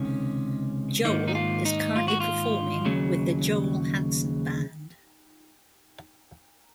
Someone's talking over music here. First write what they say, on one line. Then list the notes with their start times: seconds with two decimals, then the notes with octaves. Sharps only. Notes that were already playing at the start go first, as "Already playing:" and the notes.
Joel is currently performing with The Joel Hanson Band.
Already playing: C#2 C3 D#3 C#4
1.05 G#2 D#3 A#3 D#4
1.28 D#4
1.35 F4
1.65 D#4
1.96 F4
2.08 F#4
2.20 F4
2.85 D#2 C#3 F#3